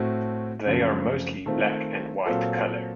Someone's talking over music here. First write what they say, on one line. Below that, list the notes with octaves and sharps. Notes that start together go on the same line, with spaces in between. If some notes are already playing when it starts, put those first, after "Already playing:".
They are mostly black and white colour.
Already playing: A2 A3 C4 F#4
F#2 C#3 F3 A3 C4
D#3 A3 C4 F4
A#2 F#3 C4 F4 A4